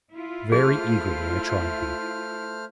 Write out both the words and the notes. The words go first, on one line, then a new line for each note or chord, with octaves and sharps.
Very eagerly I tried them.
E4 F4
A3 G#4 C5 F6